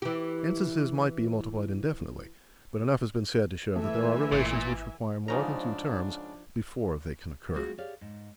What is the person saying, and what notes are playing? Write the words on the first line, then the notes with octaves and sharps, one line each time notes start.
Instances might be multiplied indefinitely, but enough has been said to show that there are relations which require more than two terms before they can occur.
E3 G4
E3 A3 E5 G#5
G#1 A#2
G#2 C#3 F3 D4 D#4 A#5
G3 A3 C4 F4 F#4 G#4
G4 G#4 C#5 D5 F5
G#2